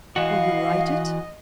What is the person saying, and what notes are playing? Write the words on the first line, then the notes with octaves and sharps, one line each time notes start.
"Will you write it?"
E3 F#4 D#5 F5